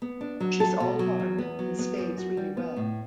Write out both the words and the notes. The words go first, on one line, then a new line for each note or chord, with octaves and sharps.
She’s all heart and stays really well.
B3
D4
F#3
A4
B2
F#3
E2
B3
F#3
B3
F#2
F#4
G3
B3
A2